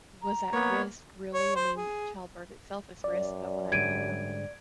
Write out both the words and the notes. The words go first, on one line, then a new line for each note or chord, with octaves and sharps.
was at risk, really. I mean, childbirth itself is risk, but when I hear
A#5
A#3 B3 C#5
C#5
C5
G#4
F#2 D5
G#2 D3 G3 G#6 D7 D#7